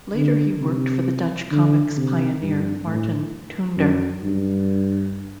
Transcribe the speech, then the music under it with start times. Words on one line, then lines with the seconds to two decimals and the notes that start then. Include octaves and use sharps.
Later he worked for the Dutch comics pioneer Marten Toonder.
0.15 D3
0.61 C3
1.51 D3
1.97 C3
2.42 G2
2.86 A2
3.77 F#2
4.23 G2